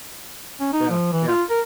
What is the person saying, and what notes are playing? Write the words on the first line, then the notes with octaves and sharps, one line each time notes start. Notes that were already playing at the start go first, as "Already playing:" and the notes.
Yeah, yeah.
C#4
D#4
F3
E3
F4
A#4